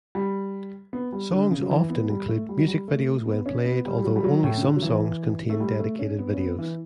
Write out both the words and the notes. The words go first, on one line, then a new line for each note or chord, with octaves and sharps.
Songs often include music videos when played, although only some songs contain dedicated videos.
G3
B3
G3
D3
C#3
F#3
E3
B3
G3
A3
G3
F#3
G3
A3
B3
C#4
B3
G3
G3
F#3
G3
F#3
A2
C#3
D3
F#3
E3
A3
G3
A3
C#4
B3
C#4
B3
E3